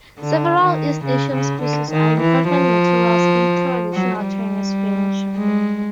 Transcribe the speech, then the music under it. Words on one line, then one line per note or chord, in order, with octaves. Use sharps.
Several East Asian species are important materials in traditional Chinese furniture.
D3
D#3
C#3
C#3
D3
D#3
E3
F3
F#3
G3
G#3